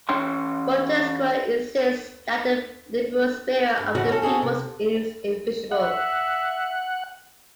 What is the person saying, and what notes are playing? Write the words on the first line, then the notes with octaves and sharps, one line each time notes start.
Montesquieu insists that the liberal spirit of the peoples is invincible.
E3 C#4 C#5 G5 C6
G2
E2 A2 C#3 F#4 F#5
C#4 A4
C4 F#4 G#4 A4
C3
E5 F#5